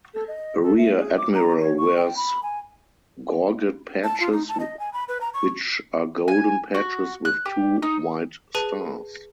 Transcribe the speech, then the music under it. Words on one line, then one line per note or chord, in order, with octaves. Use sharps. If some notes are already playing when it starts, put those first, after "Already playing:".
A rear admiral wears gorget patches which are golden patches with two white stars.
A4
D#5
A4
E5
G#4
D6
A#5
C#5
C#6
G5
B5
G#5
A5
F4
D#4
A5
D#5
G#5
B5
B4
A#5
C#6
G#5
F#4
F#6
G4
D#4
G#4 B4 A5 D#7